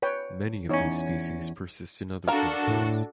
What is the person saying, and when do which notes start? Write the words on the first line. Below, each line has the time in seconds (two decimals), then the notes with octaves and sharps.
Many of these species persist in other countries.
0.02 B4 C#5 G5
0.69 E2 C#4 D#4 C#5
2.28 D4 F#4 A4 A#4 F5
2.68 A2